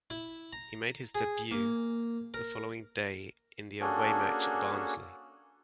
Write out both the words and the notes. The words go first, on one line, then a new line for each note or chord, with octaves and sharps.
He made his debut the following day in the away match at Barnsley.
E4
A#5
G#4
A#3
A#4
A#3 C#4 D4 F#4 G#4 A4